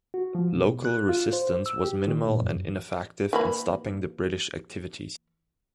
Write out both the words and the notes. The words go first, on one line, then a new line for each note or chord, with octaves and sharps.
Local resistance was minimal and ineffective in stopping the British activities.
F#4
F3
B2
F#6
F4
C5
E6
G4
D#3
A#2
F#2
E3 A#3 B5